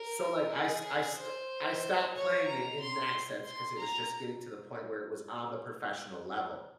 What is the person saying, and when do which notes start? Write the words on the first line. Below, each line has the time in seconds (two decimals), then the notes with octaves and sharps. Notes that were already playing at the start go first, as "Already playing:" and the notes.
So like I st I st I stop playing it in that sense 'cause it was just getting to the point where it was on the professional level.
Already playing: A#4
0.52 G#4
0.84 G#4
1.16 C5
2.15 C#5
2.47 A#5
2.80 C6
3.45 C6
3.78 A#5